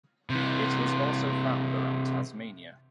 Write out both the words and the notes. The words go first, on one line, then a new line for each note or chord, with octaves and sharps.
It is also found around Tasmania.
C3 E3